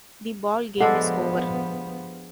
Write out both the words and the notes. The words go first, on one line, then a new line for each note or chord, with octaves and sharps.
The ball game is over!
F3 G#3 B3 D4 G4 A4 F#5